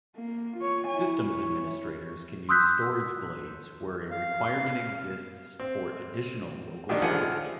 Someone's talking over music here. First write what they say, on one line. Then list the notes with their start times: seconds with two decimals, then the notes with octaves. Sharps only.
Systems administrators can use storage blades where a requirement exists for additional local storage.
0.16 A#3
0.57 F4 C#5
0.88 E4 G#5
1.24 E4 C#5
2.49 C6 D#6 E6 F#6 G6 B6
4.11 F5
5.60 C4
6.89 D3 D#3 G3 A3 D4 D#4
7.02 D3 D#3 F3 F4 F#5 G#5